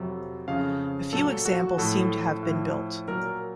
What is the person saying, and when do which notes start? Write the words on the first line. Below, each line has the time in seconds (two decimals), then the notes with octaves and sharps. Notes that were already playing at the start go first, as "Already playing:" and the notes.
A few examples seem to have been built.
Already playing: F2 C3 F#3
0.48 F2 C#3 F3 F5
1.13 A#2 F#3 A4
1.45 F#4
1.77 A2 F3 A4
2.43 A2 F3
3.08 A#2 F#3 A#4